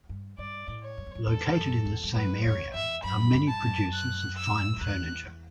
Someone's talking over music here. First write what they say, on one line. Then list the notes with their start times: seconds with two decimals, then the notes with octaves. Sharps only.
Located in the same area are many producers of fine furniture.
0.09 G2
0.38 G2 D5
0.68 A2
0.83 C#5
0.98 F#2
1.06 E2
1.15 F#2
1.27 E2 A4
1.57 F#2
1.85 E2
2.03 G2
2.15 F#2 B4
2.44 E2 C#5
2.74 E2 E5
3.04 F#2 B5
3.34 G2
3.48 A5
3.63 F#2
3.93 F#6
4.37 E6
4.76 F#2
4.81 E2 F#6